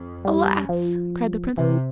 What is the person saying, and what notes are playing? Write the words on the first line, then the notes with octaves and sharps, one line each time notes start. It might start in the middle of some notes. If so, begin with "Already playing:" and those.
'Alas!' cried the princess.
Already playing: F2
G3
F3
C3 E3